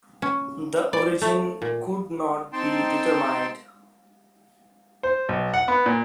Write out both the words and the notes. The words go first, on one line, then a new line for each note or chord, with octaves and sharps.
The origin could not be determined.
C#4
D5
A3
A#2
C4 D#4 G5 A5 C6
C5
B1
F#5
B3
A#2